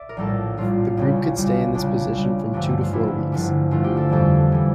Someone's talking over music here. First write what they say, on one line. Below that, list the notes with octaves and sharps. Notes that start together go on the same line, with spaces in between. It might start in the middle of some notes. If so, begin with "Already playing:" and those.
The group could stay in this position from two to four weeks.
Already playing: D5 E5
A#4
A#1 A2 G3 A4
A#1 A2 G3 F4
C#2 C#3 G3
C#2 C#3 G3
C#2 C#3 G3 D4
C#2 C#3 G3
G1 G2 D3 F3 A3 D4
F4
G1 G2 D3 F3 A3 E4
G1 G2 D3 F3 A3
G1 G2 D3 F3 A3 F4
G4
A4
F2 E3 G3 A4
E3 G3